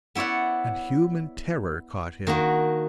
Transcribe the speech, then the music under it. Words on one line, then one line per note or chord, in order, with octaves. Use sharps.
And human terror caught him.
B3 E4 C#5 D5 F#5
D#3 A#3 D4 F#4